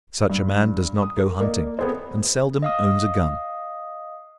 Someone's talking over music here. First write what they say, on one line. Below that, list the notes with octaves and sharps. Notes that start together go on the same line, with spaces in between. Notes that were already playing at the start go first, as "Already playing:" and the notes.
Such a man does not go hunting and seldom owns a gun.
G2
D#6
A#4
A#3 D5 D#5
B3 C4 G#4 A4 C5
D#5 F5 D#6